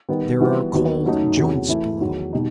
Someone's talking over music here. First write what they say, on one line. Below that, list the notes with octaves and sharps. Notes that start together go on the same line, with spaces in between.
There are cold joints below.
D#3 G3 B3
E3 G3 B3 F#4
D#2 D#3 F#3 B3 F#4
F#2 F#3 A3 D#4
E2 C3 F#3
E3 A3 E4
E2 D#3 F#3
B2 G3 D#4